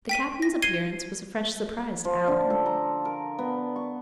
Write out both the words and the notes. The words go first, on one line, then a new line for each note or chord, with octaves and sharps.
The Captain's appearance was a fresh surprise to Alan.
G5 B6 D#7
A#6
G#6 C7 D#7 G7
F3
D3
A4
A#5
A#4
B3
C#6